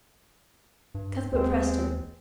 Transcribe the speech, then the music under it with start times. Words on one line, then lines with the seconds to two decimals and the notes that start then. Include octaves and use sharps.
Cuthbert pressed him.
0.95 G2
1.33 D#2 G#3 B3 C4